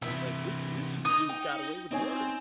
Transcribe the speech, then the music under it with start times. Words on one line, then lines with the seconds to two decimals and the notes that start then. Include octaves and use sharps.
and it's like, this this du dude got away with murder
0.02 C3 E3 E5
1.05 D#4 D#6
1.29 G5
1.91 C4 D#4 C#5 G#5